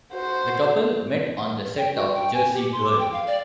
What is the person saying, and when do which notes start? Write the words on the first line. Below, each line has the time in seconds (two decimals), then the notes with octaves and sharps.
The couple met on the set of "Jersey Girl".
0.13 F#4 C5
1.77 G5
1.95 F#4
2.14 G5
2.33 G#5
2.54 G4
2.72 C6
2.84 D6
2.99 G5
3.12 F5
3.26 D5